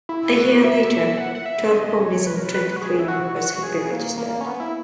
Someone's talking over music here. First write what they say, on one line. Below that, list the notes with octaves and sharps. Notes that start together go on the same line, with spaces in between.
A year later, twelve ponies and twenty-three members had been registered.
E4
F#4
E5
E5
F#5
F#5
E5
D#5
C#5
B4
A#4
B4
B4
F#4
G#4
E4
F#4
F#4
G#4
A#3
A#3
C#4
B3
E4